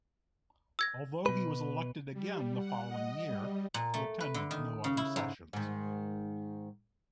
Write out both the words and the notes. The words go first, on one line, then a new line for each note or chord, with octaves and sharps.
Although he was elected again the following year, he attended no other sessions.
E6 G#6 A#6
B2 B4
G3
F#5
D#5
G3
A#2
A3
B4
D3
D#3
C#3
E4
G#2
G#2 D#3